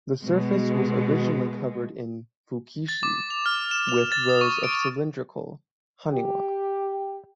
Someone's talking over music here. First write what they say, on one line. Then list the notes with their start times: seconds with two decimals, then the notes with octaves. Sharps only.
The surface was originally covered in "fukiishi" with rows of cylindrical "haniwa".
0.22 B2 G#3
2.88 A6
3.03 D6
3.30 F7
3.46 F6
3.71 E7
3.89 F7
4.12 A6
4.29 D#6
4.41 C#6
4.64 D7
6.12 G4